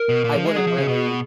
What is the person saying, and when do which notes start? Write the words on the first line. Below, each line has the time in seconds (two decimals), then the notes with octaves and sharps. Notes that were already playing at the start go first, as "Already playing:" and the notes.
I wouldn't really
Already playing: A#4
0.09 B2
0.24 A#2
0.36 F3
0.45 G#3
0.56 F#3 G#4
0.67 F3
0.78 C#3
0.88 B2